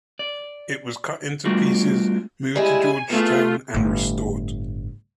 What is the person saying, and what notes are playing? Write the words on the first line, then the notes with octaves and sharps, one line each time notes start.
It was cut into pieces, moved to Georgetown, and restored.
D5
G3 A3 B3 D4 F4 F#4
G3 G#3 E4 G#5
A3 B3 E4 F4 G#4
G1 A2